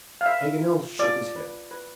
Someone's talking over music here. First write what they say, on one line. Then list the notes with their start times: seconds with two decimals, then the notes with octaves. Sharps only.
Paganel shook his head.
0.21 F5
0.26 B4 E5
0.62 F4
0.99 F4 D5
1.36 B4
1.71 B4